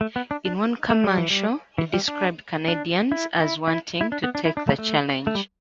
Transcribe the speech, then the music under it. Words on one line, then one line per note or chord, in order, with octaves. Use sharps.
In one commercial, he described Canadians as wanting to take the challenge.
A3
B3
D4
D4
A3
G3
E3
G3
E3
G3
D4
D4
E4
E4
E4
E4
D4
B3
D4
E4
D4
A3
A3
A3
G3